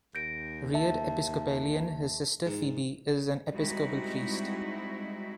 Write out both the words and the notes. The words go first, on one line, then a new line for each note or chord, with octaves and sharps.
Reared Episcopalian, his sister Phoebe is an Episcopal priest.
D#2 G6 A#6 D7
E5 A5
G#2
G3 G#3 C4 D#4 E4 F#4